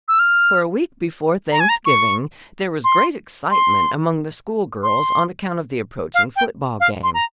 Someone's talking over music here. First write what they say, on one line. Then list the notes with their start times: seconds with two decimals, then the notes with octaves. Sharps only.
For a week before Thanksgiving there was great excitement among the schoolgirls on account of the approaching football game.
0.08 E6
0.19 F6
1.52 A#5
1.60 G#5
1.69 A#5
1.85 C#6
2.84 C6
3.51 C6
4.83 C6
6.14 F5
6.36 G5
6.80 F5
7.03 C6
7.14 A#5